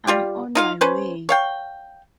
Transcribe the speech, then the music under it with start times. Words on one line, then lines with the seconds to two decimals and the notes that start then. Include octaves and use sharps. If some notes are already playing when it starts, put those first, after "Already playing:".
I'm on my way.
0.07 G3 F4 G4
0.55 D#4 F4 F5
0.81 C#4 B4 C5
1.29 C#5 F5 G5